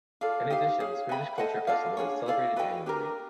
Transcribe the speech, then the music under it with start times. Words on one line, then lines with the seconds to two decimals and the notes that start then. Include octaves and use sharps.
In addition, the Swedish culture festival is celebrated annually.
0.21 F4 A4 D5 F5
0.50 D#4 G4 C5 F5
0.80 G#4 C#5 F5
1.09 B4 E5 G5 B5
1.38 A4 C5 D#5 F#5
1.67 F4 A4 D5 F5
1.97 D4 F4 G#4 C#5
2.26 E4 A4 D5 F5
2.56 F#4 B4 D#5 G5
2.86 D4 G4 A#4